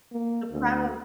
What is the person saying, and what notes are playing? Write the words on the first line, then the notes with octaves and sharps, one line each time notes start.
The problem
A#3
D2